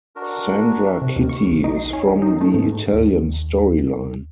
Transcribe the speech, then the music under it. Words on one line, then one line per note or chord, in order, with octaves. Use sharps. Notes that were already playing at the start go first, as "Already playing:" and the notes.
Sandra Citti is from the Italian Storyline.
D4 F#4 A#4
C3
D#2
C#6
B1
D#4
C7
C#4
D#3
D#4
A3
G#2
D#2